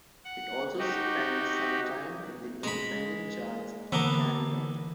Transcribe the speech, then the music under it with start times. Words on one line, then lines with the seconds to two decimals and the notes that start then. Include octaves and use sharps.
It also spent some time in the independent charts in Canada.
0.25 F#5
0.78 D#4 F#4 G4
2.63 G#3 B5
3.92 D3 E3 A#3 B3